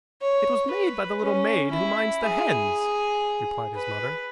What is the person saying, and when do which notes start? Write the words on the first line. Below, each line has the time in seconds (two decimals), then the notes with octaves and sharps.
"It was made by the little maid who minds the hens," replied his mother.
0.21 C#5
0.71 B4
1.22 C#4
1.72 E4
2.23 G#4
3.75 B4